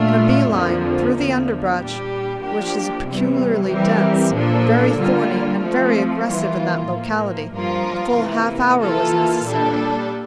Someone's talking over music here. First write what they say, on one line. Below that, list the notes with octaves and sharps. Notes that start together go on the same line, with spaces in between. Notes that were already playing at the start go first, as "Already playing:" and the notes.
In a bee-line, through the underbrush, which is peculiarly dense, very thorny, and very aggressive in that locality, a full half hour was necessary.
Already playing: A#2 A3 D4 F4
F2 D3 F3 A#3
E2 D3 F3 A#3
A#2 G3 D4 G4
F3 A#3 D4 G4
E2 C3 E3 G3
E3 G3 C4 G4 A#4
A#2 F3 A#3 D4 A4
D3 G3 A#3 F4
F3 A3 C4
E3 G3 A#3 F4
A2 F3 A#3
G2 F3 A#3 F4 A#4
C3 E3 A#3
E3 A#3 F4 A4
A#2 G3 D4 A4